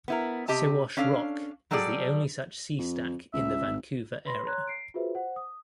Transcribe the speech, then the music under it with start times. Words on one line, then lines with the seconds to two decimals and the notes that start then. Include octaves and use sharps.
Siwash Rock is the only such sea stack in the Vancouver area.
0.08 B3 E4 A#4
0.48 C3 G4 D#5 A5
0.97 C#4 D4 A4 F5
1.71 F#3 G3 G#4 A4 D5
2.78 F2
3.33 C#2 E5
3.66 G#1
4.25 B4 B5 C6 A#6
4.46 C#5 A#5 C6 F#6 G#6
4.67 C7 D7
4.94 F4 F#4 G#4 B4 C5 E5
5.15 C5 F#5
5.36 D#6